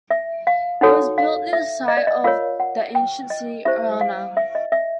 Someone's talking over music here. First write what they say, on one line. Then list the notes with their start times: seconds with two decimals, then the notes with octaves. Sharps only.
It was built near the site of the ancient city Erana.
0.11 E5
0.47 F5
0.81 D#4 F#4 A4 C#5 F#5
1.18 F5
1.53 E5
1.88 D#5
1.97 D5
2.07 D#5
2.24 F4 A#4 C#5 F5
2.60 F#5
2.95 G5
3.30 D#5
3.65 E4 G4 C5 E5
4.01 F5
4.37 E5
4.55 D#5
4.72 E5